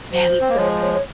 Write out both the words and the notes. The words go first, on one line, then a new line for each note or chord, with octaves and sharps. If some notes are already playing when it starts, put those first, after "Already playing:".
Man, it's different.
C5
C4
A#3
F3 G#3 C#5
C5
C#5
C#5